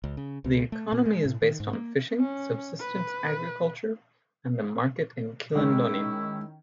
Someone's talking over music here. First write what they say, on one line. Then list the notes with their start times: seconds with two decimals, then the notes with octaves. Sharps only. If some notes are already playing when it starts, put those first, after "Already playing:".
The economy is based on fishing, subsistence agriculture and the market in Kilindoni.
0.04 C#2
0.17 C#3
0.44 C#2
0.72 A3
0.92 A#2
1.05 G#3
1.25 A2
1.42 D#3
1.60 G#2
1.73 A#3
2.20 C#4
2.80 B4
5.55 D#3 G#3 C#4 E4